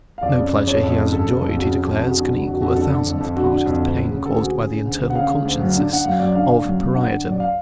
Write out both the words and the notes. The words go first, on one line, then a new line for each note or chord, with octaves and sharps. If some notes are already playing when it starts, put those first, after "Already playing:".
No pleasure he has enjoyed, he declares, can equal a thousandth part of the pain caused by the internal consciousness of pariahdom.
F5
F2 D5
C#3
C#3
F2 C#5
F2
C#3
C#3 A4
F2
F2
C#3 F#4
C#3
F2
F2 F#4
G#4
D3 F#4
D3
F2 F#4
F2 F#4
D3 A4
D3
F2
F2
D3 F#4
D3
F2
D2
C#3
C#3
D2 A4
G#4
D2 F#4
G#4
C#3
C#3
D2
D2
F#5
C#3 F5
C#3
D2
F#2
D3
D3 F#5
F#2 F5
F#2 D5
D3 F5
D3
F#2
F#2
D3 F#5
D3
F#2
D5
F5